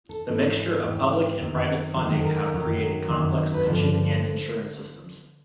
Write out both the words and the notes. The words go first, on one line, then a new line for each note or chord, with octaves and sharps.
The mixture of public and private funding have created complex pension and insurance systems.
A4
G#2 E3 D#4
G#4
G#2 E3 G4
F#2 D#3 F#3
F#2 D#3 F#3 G#4
A4
A#4
F#2 D#3 F#3
F#2 D#3 F#3
B4
G2 D3 F3 C5